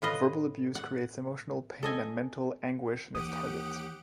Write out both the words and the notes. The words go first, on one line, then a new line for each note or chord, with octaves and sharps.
Verbal abuse creates emotional pain and mental anguish in its target.
A2 F4 B4 D#5
F#5
A4 D#5 G#5
D#2 E3 G4 F#5 D#6 D7